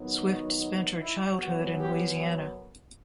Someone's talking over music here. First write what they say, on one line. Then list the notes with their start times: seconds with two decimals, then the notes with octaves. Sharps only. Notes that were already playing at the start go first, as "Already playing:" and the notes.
Swift spent her childhood in Louisiana.
Already playing: D#3 F#3 B3 D#4
0.23 F#4
1.00 E4
1.38 F#2 F#3 B3 F#4
1.77 G4